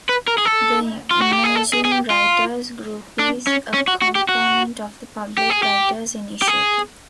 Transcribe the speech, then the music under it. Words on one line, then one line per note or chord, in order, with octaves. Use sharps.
The Emerging Writers Group is a component of The Public Writers Initiative.
B4
A#4
G#4
A4
F4
F#4
G4
G#4
A4
G#4
G#4
G4
F4
D4
C#4
C#4
F#4
F#4
G4
F#4
G4
G#4
G4
G4
G#4